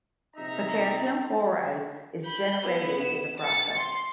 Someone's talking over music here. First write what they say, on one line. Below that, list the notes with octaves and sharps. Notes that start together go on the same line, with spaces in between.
Potassium chloride is generated in the process.
A#1 C3 D#4 E5 A#5
B5 G6
B3 E4
E7
A6 C#7
C6